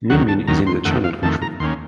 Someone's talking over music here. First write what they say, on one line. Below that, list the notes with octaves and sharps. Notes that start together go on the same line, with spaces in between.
Min Min is in the Channel Country.
D#2 D#3 F#3 F#5
A5
D#2 D#3 F#3 A#5
C6
F2 D#3 A3 F#5
F5
F2 D#3 A3 A5
A#5
D#2 D#3 A#3 C#4 C6